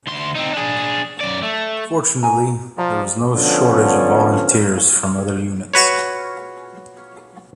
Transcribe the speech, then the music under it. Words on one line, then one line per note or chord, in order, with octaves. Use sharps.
Fortunately there was no shortage of volunteers from other units.
D2 C6
C4 D#4
D4 G#4
F#2 D5
A3
G#5 A#5
F3 D5 A#5
D3 F3 B3 C#4 D4
F#4 B4 C#5